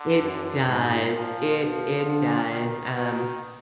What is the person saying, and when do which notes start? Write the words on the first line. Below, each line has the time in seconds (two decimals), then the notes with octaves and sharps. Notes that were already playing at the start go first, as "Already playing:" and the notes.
it does it it does, um,
Already playing: D3
0.23 F#2
0.68 G#2 D#3
1.14 A#2 F3
1.59 B2 F3
2.04 D3
2.50 B2 D#3
2.95 B2 D#3